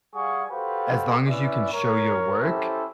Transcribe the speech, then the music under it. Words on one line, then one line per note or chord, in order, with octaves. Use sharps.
as long as you can show your work
G3 G#4 F5 F#5 G#5 C#6
F#4 G4 A4 B4 C5 F5
C#4 E4 B4 D5 E5
A#4 C#5
C#4 E4 G4 A4 C5